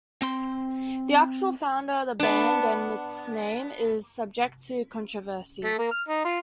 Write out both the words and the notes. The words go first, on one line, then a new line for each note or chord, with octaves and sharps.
The actual founder of the band and its name is subject to controversy.
C4 C6
B3 D4
A3
A#3
F6
D#4
F4